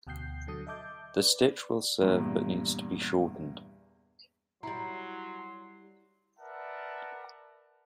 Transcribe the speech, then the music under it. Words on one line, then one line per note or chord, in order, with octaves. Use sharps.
The stitch will serve but needs to be shortened.
D2 B2 G5 G6 C7
D3 F#3 A4 D#6 G6
D#5 E5 A5 D6 G6
B4 D5
E2 G2 A#2
F#3 G3 E4 A#5 C6
A#4 B4 D5 E5 F#5 A5